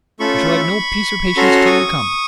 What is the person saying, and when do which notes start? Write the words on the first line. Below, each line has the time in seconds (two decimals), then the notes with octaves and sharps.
I shall have no peace or patience till you come.
0.20 A3 C#4 F4 A4 B5 C#6
1.37 C#4 F#4 A4 A#5 C6
1.66 C#6 D#6